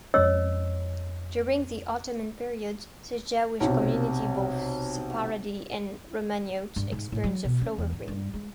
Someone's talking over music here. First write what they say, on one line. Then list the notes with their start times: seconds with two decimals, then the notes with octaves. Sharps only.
During the Ottoman period, the Jewish community, both Sepharadi and Romaniote, experienced a flowering.
0.14 F2 G#3 C#4 C#5 D#5 E6
3.60 B1 C3
6.76 G2
6.92 G#2
7.12 A2
7.24 F#3
7.44 B2
7.61 C#4
7.78 E2
7.93 A1
8.08 G2
8.34 G#3